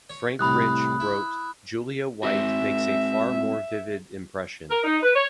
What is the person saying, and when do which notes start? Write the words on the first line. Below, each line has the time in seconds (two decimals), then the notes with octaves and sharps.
Frank Rich wrote: Julie White makes a far more vivid impression.
0.10 C#5
0.39 C2 A2 C3 B5 D#6 F#6
1.00 E4
2.23 G#3 C4 F#4 E5
4.71 A#4
4.84 D#4
5.03 B4
5.15 C#5